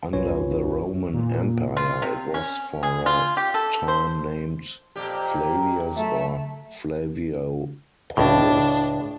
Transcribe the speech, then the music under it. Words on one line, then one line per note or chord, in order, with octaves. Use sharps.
Under the Roman Empire, it was for a time named Flavias or Flaviopolis.
C2 F#2 C#4 F4 B4 C#5
A#2
F4
C3
C#4
G#4
F4
G4
A4
C5
F2 A#2 G4
F#3 A3 E5
C#2 A2 D4